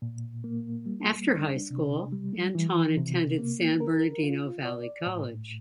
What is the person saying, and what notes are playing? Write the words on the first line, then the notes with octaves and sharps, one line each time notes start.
After high school, Anton attended San Bernardino Valley College.
A#2
A#3
G3
D4
C3
G3
E3
C3
A#3
A#4
F4
D5
A2